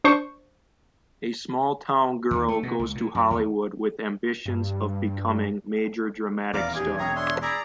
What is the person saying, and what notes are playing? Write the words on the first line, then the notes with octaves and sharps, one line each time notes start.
A small town girl goes to Hollywood with ambitions of becoming major dramatic star.
D4 C5 C#6
D#2
A3
B2
C#2
A#2
F#2
D#2
G2
D#1 E2 F4 D5 A#5 D6
G4 G#4 G#5
E1 C4 G#4 C#5 A#5
D4 C#5 E5 C6
E4 G#4 D5 A#5